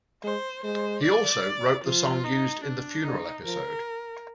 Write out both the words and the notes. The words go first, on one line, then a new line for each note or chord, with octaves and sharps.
He also wrote the song used in the funeral episode.
G#3 C5
G#3 C5
D5
F3 F4
D#4
D4
D3 D#4
F3 A#4